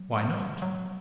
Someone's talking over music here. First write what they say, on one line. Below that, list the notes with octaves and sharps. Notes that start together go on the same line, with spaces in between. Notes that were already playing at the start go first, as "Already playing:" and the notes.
"Why not?"
Already playing: F#3
F#3